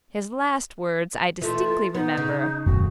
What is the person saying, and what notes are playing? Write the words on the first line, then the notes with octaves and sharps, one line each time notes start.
His last words I distinctly remember.
E3 A3 F4
B3 D#4
C#3
D#1 F#2 A3 F#4